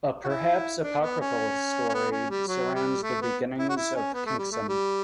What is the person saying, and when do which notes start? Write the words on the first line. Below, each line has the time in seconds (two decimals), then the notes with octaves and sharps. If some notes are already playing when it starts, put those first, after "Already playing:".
A perhaps apocryphal story surrounds the beginnings of Kincsem.
0.24 F#4
0.28 E4
0.83 D4
1.01 B3
1.20 C#4
1.89 C#4
1.94 B3
2.11 C#4
2.30 G3
2.48 F#3
2.75 G3
3.03 A3
3.22 B3
3.58 E4
3.69 F#4
3.77 E4
3.95 C#4
4.13 B3
4.26 A3
4.39 G3
4.52 A3
4.69 G3